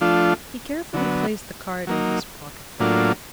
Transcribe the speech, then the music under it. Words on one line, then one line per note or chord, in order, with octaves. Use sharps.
He carefully placed the card in his pocket-book.
F3 A3 D4 F4
D3 F#3 B3
F#3 A#3 D#4
A2 F#3 A#3 D4 F4